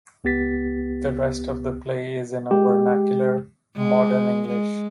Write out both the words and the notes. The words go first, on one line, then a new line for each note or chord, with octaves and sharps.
The rest of the play is in a vernacular, modern English.
C#2 B3 G4 A6 B6
G#3 G4
G#3
G#3